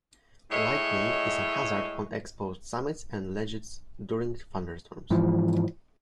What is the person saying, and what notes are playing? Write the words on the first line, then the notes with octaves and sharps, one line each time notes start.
Lightning is a hazard on exposed summits and ledges during thunderstorms.
A2 G#3 C#5 D#5 E5
G#2 E3 F3